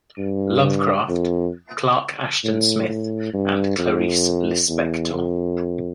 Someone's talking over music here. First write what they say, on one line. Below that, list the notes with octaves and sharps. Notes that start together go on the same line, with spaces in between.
Lovecraft, Clark Ashton Smith and Clarice Lispector.
G2
F2
A2
A2
G2
F2
E2
F2